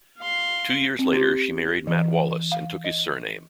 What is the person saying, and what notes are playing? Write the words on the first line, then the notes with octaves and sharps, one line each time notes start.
Two years later she married Matt Wallace and took his surname.
F5 C6
C4
G4
E3
F5
D#5